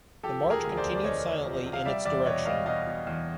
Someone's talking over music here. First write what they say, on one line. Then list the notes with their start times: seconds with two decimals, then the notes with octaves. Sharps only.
The march continued silently in it's direction.
0.23 F3 G4 A4
0.44 E1
0.50 G#4 A#4
0.64 D2
0.77 C5 D5
0.84 E1
0.95 D5
1.04 E1 C#5 D#5
1.25 E1
1.45 F3
1.65 C3
1.73 F5
1.85 G3 D5 E5
2.05 E2 D5 E5
2.26 B2 C#5 D#5
2.45 G3 D#5 F5
2.66 B2 D#5 F5
2.87 B2
3.07 E2